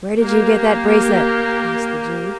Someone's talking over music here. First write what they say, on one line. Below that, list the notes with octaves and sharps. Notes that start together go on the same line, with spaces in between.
'Where did you get that bracelet?' asked the Jew.
A#3 G4